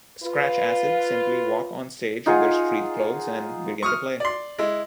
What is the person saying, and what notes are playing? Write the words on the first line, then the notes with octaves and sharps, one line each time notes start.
Scratch Acid simply walk on stage in their street clothes and begin to play.
F4 B4
D#4 F4 G#4 F#5
C#6 D#6 F6
D5 C6
G#3 E4